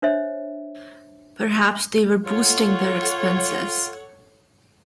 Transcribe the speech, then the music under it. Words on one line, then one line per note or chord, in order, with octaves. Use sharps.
Perhaps they were boosting their expenses.
D4 C5 C#5 E5
F4 A4 C#5 F#5